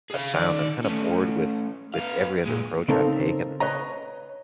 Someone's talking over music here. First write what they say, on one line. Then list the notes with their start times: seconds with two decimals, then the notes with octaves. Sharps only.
a sound. I'm kinda bored with with every other approach I've taken,
0.10 G#4 F5
0.34 D#3 D5
0.84 A3 C#4
1.94 B3 F5
2.46 A#2 G#3
2.88 C#3 C4 D#4 A4 A#4
3.60 B4 C#5 D#5 A#5